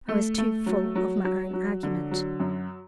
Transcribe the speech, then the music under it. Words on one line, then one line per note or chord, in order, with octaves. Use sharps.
I was too full of my own argument.
A3
A3
F#3
F#3
F#3
F#3
D3
F#3
F#2